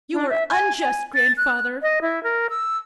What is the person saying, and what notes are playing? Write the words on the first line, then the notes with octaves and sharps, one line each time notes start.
You are unjust, Grandfather.
D4
E5
G#5
G#5
A6
F#6
D#5
E4
A#4
E6